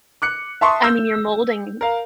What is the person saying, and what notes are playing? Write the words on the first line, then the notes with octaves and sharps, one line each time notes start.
I mean, you're molding
D6 F#6 C#7
E5 A5 C6 C#6 D#6
E6 G6
A#4 F5